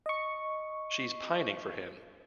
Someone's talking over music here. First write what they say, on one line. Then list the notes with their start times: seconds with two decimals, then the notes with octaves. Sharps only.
She's pining for him.
0.06 D#5 C#6